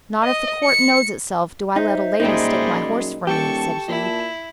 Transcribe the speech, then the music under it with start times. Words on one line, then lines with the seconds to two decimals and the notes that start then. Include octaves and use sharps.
"Not if the court knows itself do I let a lady stake my horse for me," said he.
0.23 D#5
0.64 C#7
1.76 D#4 C5 E5
2.20 F#2 A#2 G3 G#3 D#4
3.27 D#1 G4 A4 A5 C#6
3.88 A#2 E4